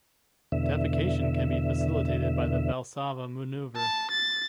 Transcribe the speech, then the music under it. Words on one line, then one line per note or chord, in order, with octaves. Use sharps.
Defecation can be facilitated by the Valsalva maneuver.
E2 B2 D3 E5
A5
A6